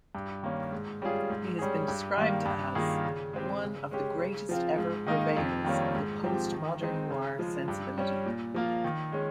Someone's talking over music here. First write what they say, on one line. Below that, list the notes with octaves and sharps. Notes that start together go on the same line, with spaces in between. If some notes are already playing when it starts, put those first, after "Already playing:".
He has been described as: one of the greatest-ever purveyors of the postmodern-noir sensibility.
G2
D#3 A#3 C#4
G#2
G3 C#4 F4 G#4
G#2
G3 C#4 G#4
G2
D#3 G3 A#3
G2
D#3 A#3 F4 G#4
C#3
G#3 C4 G4
C#3
G#3 C#4 G4
C#3
F3 C4 F4
G#2
D#3 A#3 D#4
F2
D#3 G3 A#3 C#4
G#2
F3 C4 G4
D#3
G#3 C4 D#4
C#3
F3 G#3
G2
G3 C#4
A#2
F3 A#3 F4
D#3
G#3 C#4